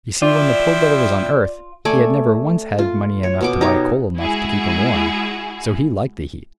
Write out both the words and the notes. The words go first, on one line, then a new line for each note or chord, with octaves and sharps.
You see when the Poor Brother was on earth he had never once had money enough to buy coal enough to keep him warm; so he liked the heat.
F3 E4 F4 D5 G5
A3 D5 G#5 D6
F4
C#5
B2 B3 D6
D#4 G4 C#5 D6
G#3 E4 F#4 G#4